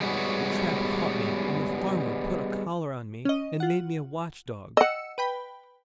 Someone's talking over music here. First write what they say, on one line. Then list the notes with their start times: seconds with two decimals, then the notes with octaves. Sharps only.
The trap caught me and the Farmer put a collar on me and made me a watchdog.
0.01 G3 G#3 B3 C#4 F#4
3.25 C#4 D#5
3.60 F4 F#5
4.77 D#5 F#5 E6 C#7
5.18 B4 G5 B5